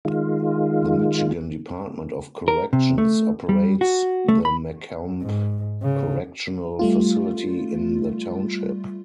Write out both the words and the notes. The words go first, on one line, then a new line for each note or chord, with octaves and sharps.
The Michigan Department of Corrections operates the Macomb Correctional Facility in the township.
D#3 G#3 F4
A#4
C3
A3
G3
F#4
A3
B5
G#2
C#3
G3 A3 F4